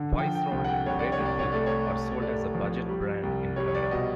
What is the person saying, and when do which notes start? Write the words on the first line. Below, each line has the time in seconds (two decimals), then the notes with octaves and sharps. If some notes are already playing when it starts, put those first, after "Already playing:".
Viceroy Red and Blue are sold as a budget brand in Canada.
Already playing: D3
0.17 F3 G5
0.35 G5
0.51 C2
0.64 F#5
0.68 G5
0.86 C2 C#5
0.99 D5
1.12 C#5
1.20 C2
1.26 D5
1.39 C#5
1.52 A3 D5
1.66 C#5
1.88 A3
2.21 A3 D5
2.55 F3
2.89 G3
3.23 C2
3.56 G3 C#5
3.68 C#5
3.74 D5
3.91 B2 D#5